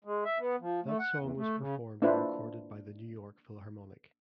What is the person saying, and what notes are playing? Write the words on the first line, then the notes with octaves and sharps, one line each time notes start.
That song was performed and recorded by the New York Philharmonic.
G#3
E5
B3
F3
A3
F#5
E2
A3
C#3
A#3 D4 E4 F4 B4 C5